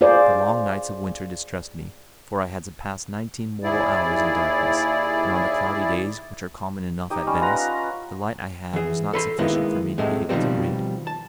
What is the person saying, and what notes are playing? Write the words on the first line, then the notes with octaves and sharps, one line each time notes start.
The long nights of winter distressed me, for I had to pass nineteen mortal hours in darkness; and on the cloudy days, which are common enough at Venice, the light I had was not sufficient for me to be able to read.
F4 G#4 C5 D5
D#2 E4 G#4 D5
D#4 G4 D#5
G3 C#4
F4 B4 F#5 A#5
E3 G#4
A4 B5 C6
D#3 G#3 A#3 B3 E4
A2 C3 G#3 A3
B2 D#3 F3 G3 C4
A5